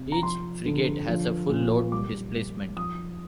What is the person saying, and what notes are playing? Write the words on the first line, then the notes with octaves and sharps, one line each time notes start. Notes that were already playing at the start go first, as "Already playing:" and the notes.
Each frigate has a full load displacement.
Already playing: C3
A#5
F3 C6
D3
F3
A#2
G3 D6
G3
F3 D#6